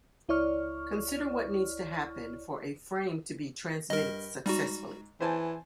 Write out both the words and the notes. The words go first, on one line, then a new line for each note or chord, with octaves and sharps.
Consider what needs to happen for a frame to be transmitted successfully.
C#2 E4 C#5 D5 C#6 F6
G2 A#4 D#5
G#2 G3 F#4 A#5
E3 C5 G#5 A5